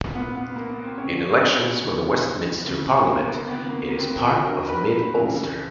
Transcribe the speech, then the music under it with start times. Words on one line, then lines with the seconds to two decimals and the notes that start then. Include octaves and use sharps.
In elections for the Westminster Parliament it is part of Mid Ulster.
0.14 C2 A#2 B3
0.35 B3
0.56 A#3
0.70 B3
0.84 C4
0.98 G2 D3 C#4
1.18 C#4
1.39 B3
1.81 E2 C3 D#3
2.64 D2 C#3 E3
3.06 A#3
3.21 B3
3.34 C4
3.48 C#2 C3 D#3 B3
3.69 A#3
3.90 A#3
3.99 C4
4.03 B3
4.17 C4
4.27 F4
4.31 F2 D3 F#4
4.45 A#4
4.60 A#4
4.69 B4
4.73 A#4
5.15 F2 C#3 E3